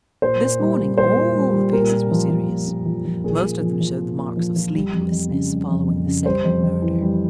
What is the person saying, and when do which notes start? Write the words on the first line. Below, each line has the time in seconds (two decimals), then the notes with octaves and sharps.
This morning all the faces were serious; most of them showed the marks of sleeplessness following the second murder.
0.22 A#2 C5
0.41 A#2
0.60 G3
0.78 G3
0.98 A#2 C5
1.16 A#2
1.35 G3
1.54 G3
1.73 A#2 A#4
1.92 A#2
2.11 F3
2.29 F3
2.49 A#2
2.68 A#2
2.86 F3
3.05 F3
3.24 A#2 G#4
3.42 A#2
3.61 F3
3.81 F3
3.99 A#2
4.18 A#2
4.37 F3
4.56 F3
4.75 G3
4.94 F2
5.12 F2
5.31 C#3
5.50 G3
5.68 F2
5.88 F2
6.06 C#3
6.25 G3 C5
6.45 F2
6.63 F2
6.82 E3
7.01 G3